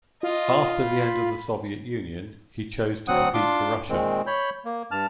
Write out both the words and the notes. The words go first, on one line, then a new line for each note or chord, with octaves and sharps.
After the end of the Soviet Union, he chose to compete for Russia.
F4 D#5
B5
D2 F#3 C4 F#5 D#6
D4 F4 C6 D6
A#2 D#3 G#3 C4
C#5 B5 G6
A#3
G2 A5 F6